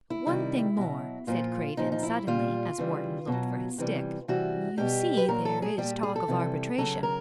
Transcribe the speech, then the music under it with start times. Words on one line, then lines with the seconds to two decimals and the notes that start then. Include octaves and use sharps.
"One thing more," said Craven suddenly, as Wharton looked for his stick--"you see there is talk of arbitration."
0.10 E4
0.27 C3 D#3 G3
0.77 B2 F#3
1.27 A#2 F3 F4
1.77 A#2 F3 D#4
1.92 D#4
2.03 E4
2.27 A#2 G3 F4
2.78 C#3 E3 G3
3.27 B2 F#3
3.78 C3 E3 G3
4.28 C3 E3 G3 F#4
4.77 B2 G3 G4
5.17 B4
5.28 A#2 F#3 A#4
5.45 A4
5.62 G#4
5.78 A#2 G3 G4
6.03 G#4
6.16 A4
6.28 C3 E3 G3
6.78 C#3 F#3 A4
7.03 A#4